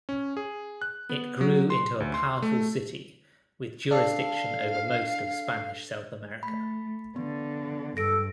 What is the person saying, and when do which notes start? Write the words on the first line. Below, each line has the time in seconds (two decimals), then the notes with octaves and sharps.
It grew into a powerful city, with jurisdiction over most of Spanish South America.
0.09 C#4
0.37 G#4
0.82 F#6
1.10 B3
1.41 F#3
1.70 C6
2.00 D2
2.14 C6
2.42 A3
3.91 D4 A4 F5
6.43 A3 B5
7.16 D3 B3
7.97 G2 A4 A#6 D7